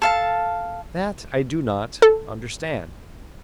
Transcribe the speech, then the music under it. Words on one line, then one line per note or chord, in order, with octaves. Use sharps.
That I do not... understand.
A4 F5 A5
A4